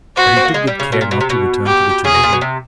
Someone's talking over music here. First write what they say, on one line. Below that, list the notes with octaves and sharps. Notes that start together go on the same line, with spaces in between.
But he took good care not to return to the Tuileries.
C4 F#4
B3
C4
A#3
G#3
G3
C#3
B2
A#2
B2
C3
B2
G4
C#3 G#4
B2
A#2
B2
C3